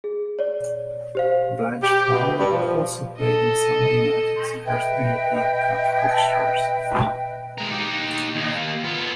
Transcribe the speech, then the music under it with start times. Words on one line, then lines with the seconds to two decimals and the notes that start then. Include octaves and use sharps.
Blanchflower also played in some of United's first European Cup fixtures.
0.04 G#4
0.39 C#5 D5
1.15 G4 C5 F5
1.83 G4
2.13 B2
2.39 G2
2.51 F3
3.19 A4 D#5
4.66 B4 D#5 E5 G5
7.58 G#3 A#4
7.71 D#4 G4
8.36 D#2 A#3
8.84 B3 F4